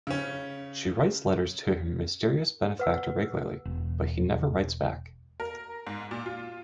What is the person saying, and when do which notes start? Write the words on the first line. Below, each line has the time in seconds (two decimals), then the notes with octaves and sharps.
She writes letters to her mysterious benefactor regularly, but he never writes back.
0.07 C#3 C#4
2.79 B4 F#5 E6
3.65 E1
5.40 A#4
5.87 G#2
6.11 A#2
6.26 F4